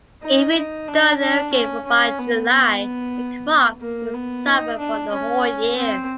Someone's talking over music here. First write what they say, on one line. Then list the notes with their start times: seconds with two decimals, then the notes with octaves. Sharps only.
If you don’t irrigate by July, the crops will suffer for the whole year.
0.23 D#4
0.55 D#4
0.88 D4
1.20 D4
1.53 C#4
1.86 C#4
2.19 B3
2.51 B3
3.81 A#3
4.14 B3
4.46 D#4
4.79 D4
5.11 C#4
5.77 C4